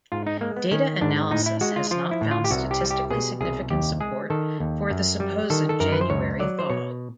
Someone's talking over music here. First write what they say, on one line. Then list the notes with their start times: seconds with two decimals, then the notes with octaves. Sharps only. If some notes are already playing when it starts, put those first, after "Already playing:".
Data analysis has not found statistically significant support for the supposed January thaw.
0.12 G#2 F4
0.27 D#4
0.41 G#3 A#3
0.57 B3
0.71 D#3 C#4
1.01 G#2 D4
1.31 A2 D#4
1.46 E4
1.61 G#3 F#4
1.76 F4
1.91 F3 F4
2.11 E4
2.21 A2
2.31 F4
2.44 G4
2.51 C2 F#4
2.71 G4
2.81 G3
2.91 G4
3.10 B2 G#4
3.41 C2 G#4
3.70 D#2 G4
4.00 G#3 G#4
4.30 D#3 A4
4.60 D#2
4.90 F#2
5.20 G3
5.50 D#3 A4
5.69 A4
5.80 F#2 A#4
5.92 B4
6.01 C5
6.10 C#2 C#5
6.40 F#3 D5
6.59 C5
6.70 B2 C#5